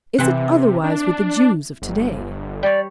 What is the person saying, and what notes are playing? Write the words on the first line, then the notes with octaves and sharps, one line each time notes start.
Is it otherwise with the Jews of to-day?
C3 E3 C4 F#5
D4
G1
G3 C#5 D5